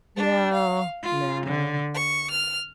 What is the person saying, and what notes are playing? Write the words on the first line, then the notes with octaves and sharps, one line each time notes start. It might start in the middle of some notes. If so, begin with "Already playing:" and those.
No, no.
D4
F5
F4
D3
C#6
F6